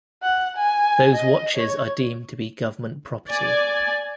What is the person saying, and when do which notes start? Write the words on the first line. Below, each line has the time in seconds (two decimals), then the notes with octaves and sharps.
Those watches are deemed to be government property.
0.23 F#5
0.56 G#5
1.15 D#5
1.56 C#5
3.28 D5 G#5